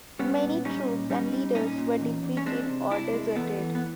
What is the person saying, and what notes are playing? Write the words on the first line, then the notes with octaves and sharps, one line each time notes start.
Many troops and leaders were defeated or deserted.
G3 B3 C#4
A#2
G3 C#4 D#4
A#2
G3 C#4 D#4
G3
A#2 C#4 D#4
A#2
E2
E2
C#4
G#3 C4 D4
C3
C3 D4 E4
G#3
E2 A3 B3
E3
B3